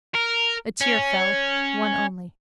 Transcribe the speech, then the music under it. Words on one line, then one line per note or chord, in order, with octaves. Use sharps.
A tear fell: one only.
A#4
C#4